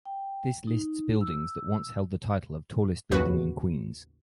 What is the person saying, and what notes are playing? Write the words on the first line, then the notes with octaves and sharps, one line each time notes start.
This lists buildings that once held the title of tallest building in Queens.
G5
D#4
E6
A1 D#2 C#3 F#4 B4